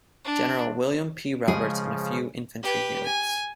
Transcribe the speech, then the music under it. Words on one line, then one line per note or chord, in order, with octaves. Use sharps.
General William P. Roberts and a few infantry units.
D4
C#3 F3 G#3 G#4
G4 B4
G#5